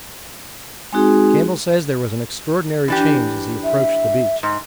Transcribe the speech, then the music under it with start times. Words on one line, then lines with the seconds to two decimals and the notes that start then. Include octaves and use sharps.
Campbell says there was an extraordinary change as he approached the beach.
0.93 G#3 C4 D#4 F#4 G#4
2.88 E3 D4 G4
3.64 E5
4.43 G#2